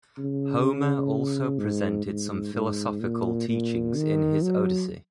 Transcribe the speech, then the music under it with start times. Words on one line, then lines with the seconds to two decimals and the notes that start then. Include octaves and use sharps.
Homer also presented some philosophical teachings in his "Odyssey".
0.18 C#3
1.59 G#2
2.07 G#2
2.54 G#2
3.01 A#2
3.48 A#2
3.96 D#3
4.42 F#3